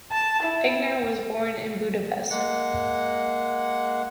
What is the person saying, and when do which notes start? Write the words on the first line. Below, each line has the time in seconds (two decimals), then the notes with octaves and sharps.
Eigner was born in Budapest.
0.11 A5
0.43 E4
2.30 G#3 A#3 F#5